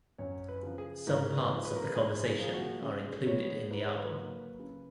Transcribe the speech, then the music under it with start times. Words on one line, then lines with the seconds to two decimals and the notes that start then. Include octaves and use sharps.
Some parts of the conversation are included in the album.
0.18 F#2 C#5
0.49 B4
0.63 C#3 F3
0.78 G#4
1.07 G#2 A#4
1.36 B4
1.51 F3 G#3
1.65 B4
1.76 A#4
1.85 B4
1.95 G#2 G#4
2.25 G#4
2.39 F3 A#3 G#4
2.54 F#4
2.83 C#3 G#4
3.27 G#3 B3 C#5
3.71 G#2 B4
3.84 C#5
3.98 B4
4.15 F#3 A#3
4.59 C#3